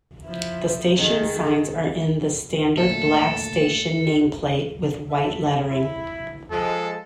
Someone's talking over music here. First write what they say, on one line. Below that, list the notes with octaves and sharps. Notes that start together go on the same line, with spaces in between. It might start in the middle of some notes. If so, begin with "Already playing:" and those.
The station signs are in the standard black station name plate with white lettering.
F3 E4
D#3 G#4 A4
D2 A#2 A4
A4 E5
E4
F3 G#3 A4